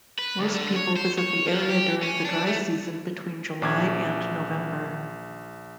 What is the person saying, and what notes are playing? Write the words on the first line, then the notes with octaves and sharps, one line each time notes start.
Most people visit the area during the dry season between July and November.
B4
D2
D3
C#5
C5
C#5
F3
G4
C#4
D4
A3
A#1 D6 G#6